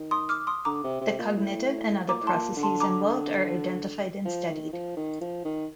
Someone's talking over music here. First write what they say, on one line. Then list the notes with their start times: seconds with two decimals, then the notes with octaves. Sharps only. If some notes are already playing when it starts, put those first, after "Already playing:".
The cognitive and other processes involved are identified and studied.
Already playing: D#3
0.11 C6 D#6
0.29 D6 F6
0.47 C6 D#6
0.65 D3 A#5 D6
0.84 C3
1.01 C3
1.19 A#2
1.37 A2
2.08 A#2 A#5 D6
2.23 A2 A5 C6
2.33 A#2
2.57 D3
2.63 A5 C6
2.80 A#5 D6
4.25 F3
4.49 D#3
4.73 F3
4.97 D#3
5.21 F3
5.45 D#3